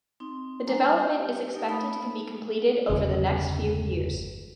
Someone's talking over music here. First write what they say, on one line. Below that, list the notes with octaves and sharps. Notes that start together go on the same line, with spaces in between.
The development is expected to be completed over the next few years.
C4 D#4
G3 D4 C5 G#5 A#5
G4
A3 D#4 A#4
A3 D#4 A5 B5 D#6
G1 E2 C#3 C#4